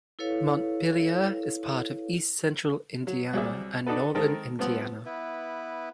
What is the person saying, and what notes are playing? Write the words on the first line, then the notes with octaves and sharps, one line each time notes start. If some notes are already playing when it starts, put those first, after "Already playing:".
Montpelier is part of East Central Indiana and Northern Indiana.
E4 A4 B4 C#5 F5
F#3
C2 F#3 G#4 D5 E5
D4 D#4 F#4 A4 B4
D#3 G#3 C4 D#4 A4 A#4
G2 F3 B3 C4
B3 E4 B4